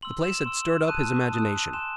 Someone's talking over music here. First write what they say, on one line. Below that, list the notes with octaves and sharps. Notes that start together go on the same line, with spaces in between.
The place had stirred up his imagination.
C6 E6 F#7
E7
C6 E6
A5 D#6 F#6 D#7
A5 D#6 F#6
G#5 C6 F#6 E7